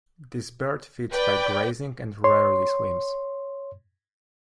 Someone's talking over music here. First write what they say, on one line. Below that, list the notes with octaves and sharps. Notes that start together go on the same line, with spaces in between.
This bird feeds by grazing and rarely swims.
B4 D5 G5
C#5 C6